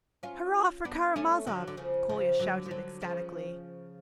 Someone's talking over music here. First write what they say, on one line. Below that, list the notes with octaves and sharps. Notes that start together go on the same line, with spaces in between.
"Hurrah for Karamazov!" Kolya shouted ecstatically.
C#4 F4
B3 D4
A3 C#4
D3 F#3
D3
C#3 F3
C#3 F3
D3 F#3
F3
D3 F#3
C#3 F3